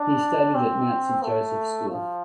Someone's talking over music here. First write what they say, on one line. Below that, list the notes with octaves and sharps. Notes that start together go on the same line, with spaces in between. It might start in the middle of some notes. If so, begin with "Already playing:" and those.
He studied at Mount St Joseph School.
Already playing: D4
C4
A3
F3